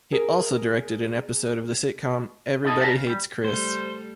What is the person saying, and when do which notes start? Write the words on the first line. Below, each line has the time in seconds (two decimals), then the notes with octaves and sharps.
He also directed an episode of the sitcom "Everybody Hates Chris".
0.12 G#4 A#4
2.64 D#4 E4 G#4 A4 D5 D#5
2.80 A#4 B4 D5 E5 F#5 A5
2.94 C#3
3.07 G3
3.45 C#2 G3 A3 A4 C5